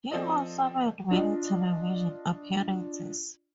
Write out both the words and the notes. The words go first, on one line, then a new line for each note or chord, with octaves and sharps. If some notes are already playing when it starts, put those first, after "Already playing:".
He also made many television appearances.
F3 C4 A4 D5 D#5
D4 F4 D#5